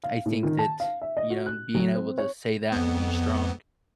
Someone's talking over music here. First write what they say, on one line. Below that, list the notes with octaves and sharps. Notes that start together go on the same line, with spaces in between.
I think that, you know, being able to say that and be strong is
F5
A2
D#3
A5
F5
E5
D#5
F#4
F#6
F#3
C4
C#5
F2 B3